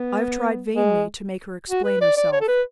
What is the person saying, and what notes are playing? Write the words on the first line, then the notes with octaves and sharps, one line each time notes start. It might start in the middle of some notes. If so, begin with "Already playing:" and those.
I have tried vainly to make her explain herself.
Already playing: B3
G#3
F#4
B4
D5
D5
C#5
A4
B4